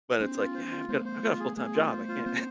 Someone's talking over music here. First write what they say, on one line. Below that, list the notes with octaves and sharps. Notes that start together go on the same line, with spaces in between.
but, it's like, "Yeah, I've got I've got a full time job I can't"
B3 C#4 C5
F4
C5
F4
A3 B3 C5
C5
F4
G#4
A3 B3 G#4
F4
C5
F4
A#3 C4 C5